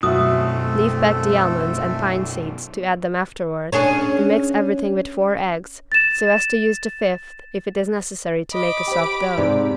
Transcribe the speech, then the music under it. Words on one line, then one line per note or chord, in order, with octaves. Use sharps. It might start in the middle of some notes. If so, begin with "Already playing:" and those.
Leave back the almonds and pine-seeds to add them afterward, and mix everything with four eggs, so as to use the fifth if it is necessary to make a soft dough.
F#2 B2 A3 C4 F#4 A4 E5 D#6
C#4 D4 G#4
A6 E7
D#5 B5 D6
G4 C5 G5
G#2 C3 D5